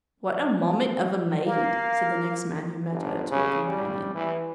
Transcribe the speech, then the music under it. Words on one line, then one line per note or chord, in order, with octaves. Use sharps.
"What a mommet of a maid!" said the next man who met her to a companion.
A#3 F5
G1
C#3
G3
E3